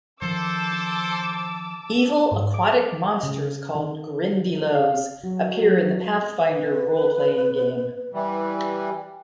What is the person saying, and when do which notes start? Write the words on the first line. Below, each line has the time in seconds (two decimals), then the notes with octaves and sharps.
Evil aquatic monsters called grindylows appear in the Pathfinder Roleplaying Game.
0.22 D#3 F3 A4 C5 A5 D6 E6
2.31 G#2
2.54 D6
3.23 C#3
3.75 D#3
4.75 F5
5.23 F#3
6.46 B4
8.14 E3 G3